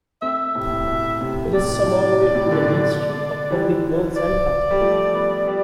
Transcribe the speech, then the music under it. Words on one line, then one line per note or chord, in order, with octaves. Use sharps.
It is subordinate to the Ministry of Public Works and Transport.
A3 C4 E5
A2 C3
A2
B2
A2 C3
A2 C3 D5
A2
B2
A2 C3
B2 D3
B2 D3
E3 G3
D5
G3
F3 A3
G3 B3
G3 B3